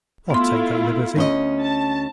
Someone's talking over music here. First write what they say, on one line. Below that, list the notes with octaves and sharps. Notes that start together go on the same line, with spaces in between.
"I'll take that liberty."
A3 B3 E4 F4 C6
D2 C#4 D#5
A5